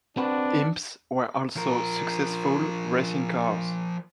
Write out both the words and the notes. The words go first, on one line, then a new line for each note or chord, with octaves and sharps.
Imps were also successful racing cars.
C4 D4 F#4 B4
F3 A#4